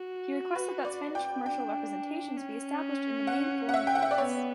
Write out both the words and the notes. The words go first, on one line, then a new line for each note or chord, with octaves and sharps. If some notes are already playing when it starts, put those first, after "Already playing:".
He requested that Spanish commercial representations be established in the main foreign ports.
Already playing: F#4
B4
D5
G5
D4 G5
C#4
F#5
F#5
E5
G5
F#5
E5
D5
B3 C#5